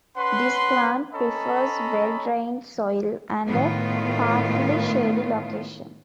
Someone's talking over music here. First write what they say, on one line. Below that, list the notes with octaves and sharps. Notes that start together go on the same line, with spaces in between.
This plant prefers well drained soil and a partly shady location.
C#4 B4 F#5 C6
C#4 A4 C#5 D#5 A#5 B5
A2 D#3 A3 B3 F4